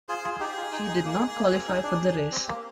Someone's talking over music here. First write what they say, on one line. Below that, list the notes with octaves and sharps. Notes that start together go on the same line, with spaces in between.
He did not qualify for the race.
F4 G#4 C5
F4 G#4
D#4 G4 G#4
F4
D#4
D#4
A#3
G#3
A#3
C4
D#4
D4
C4 G4
A#3